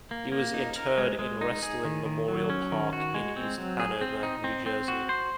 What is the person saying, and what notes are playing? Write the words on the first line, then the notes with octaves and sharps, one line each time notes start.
He was interred in Restland Memorial Park in East Hanover, New Jersey.
A#3
A#3
D#4
A#4
G#3
G#3
D#4
G#4
D#3
D#3
F#3
C#4
D#3
F#4
G#3
C4
F#3
G#4
C4
D#4
C4
C4
F#4
C5